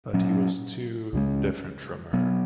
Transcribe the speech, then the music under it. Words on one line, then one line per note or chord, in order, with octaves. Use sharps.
But he was too different from her.
A#2 F#3 C#4
C#2 C#3 G#3
B2 F#3 B3